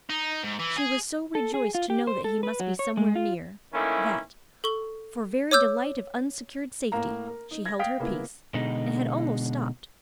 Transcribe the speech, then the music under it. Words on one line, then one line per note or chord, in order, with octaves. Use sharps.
She was so rejoiced to know that he must be somewhere near, that, for very delight of unsecured safety, she held her peace, and had almost stopped.
D#4
G#2
E3
G#4
A4
G#4
F4
G4
C5
A4
B4
F#3
C#5
G#3
F4
D#3 E3 A3 A#3 C#4 E4
A4 C#6 G7
C#5 D6 E6 G6
A2 A#3 A#5
A#4
D#4
G#6 A#6
F5 G5 D#6 B6 D7
C#3 A#3 B3 E4
B2 D3 G#3 D#4